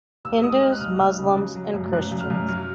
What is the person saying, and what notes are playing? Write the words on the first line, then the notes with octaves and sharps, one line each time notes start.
Hindus, Muslims and Christians.
D#2 E6
G#3 D#6
G#3 F6
F#6
D#2 F6
D#2
C#3
F#3
F#3
F#2
F#2 F#6
F#2
F6
F#2
F#3 F6